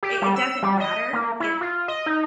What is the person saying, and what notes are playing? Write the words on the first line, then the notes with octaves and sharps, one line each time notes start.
i it doesn't matter if
G4
G3
E6
G3
D#5
A#3
E4
F4
D#5
D#4